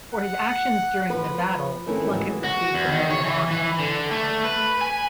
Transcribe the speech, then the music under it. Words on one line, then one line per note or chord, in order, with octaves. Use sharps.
For his actions during the battle Plunkett received the Medal of Honor.
F#5
F3 B4
D#3 E3 A3 C4 C#4 E4
E3 F#3 G#3
F#4
E2
D#3
C#5
E3
E3
D3
A3
B4
G#5